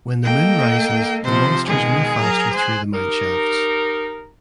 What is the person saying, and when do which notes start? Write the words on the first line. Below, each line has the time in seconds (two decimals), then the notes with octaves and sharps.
When the moon rises the monsters move faster through the mine shafts.
0.24 A#3 A4 D#5 G5
1.25 C3 F3 C5
1.67 B2 D#3 G#3 G#4
2.18 F#3 A#4 A#5
2.54 C5 G#5 F#6
2.93 D#4 G4 A#4